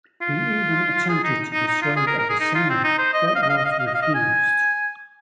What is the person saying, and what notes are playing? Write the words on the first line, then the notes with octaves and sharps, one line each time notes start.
He even attempted to persuade Avicenna, but was refused.
F4
G#4
D#4
D#4
D#4
F4
G#4
A#4
A#4
G#4
D#4
F4
C4
D#4
C5
D#5
D#5
F5
D#5
F5
D#5
F5
D#5
F5
D#5
F5
D#5
G#5